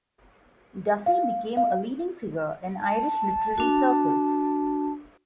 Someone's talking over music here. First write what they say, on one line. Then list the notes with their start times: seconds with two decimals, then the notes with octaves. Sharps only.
Duffy became a leading figure in Irish literary circles.
1.06 F5
1.57 F5
2.81 A5
3.58 D4 F#4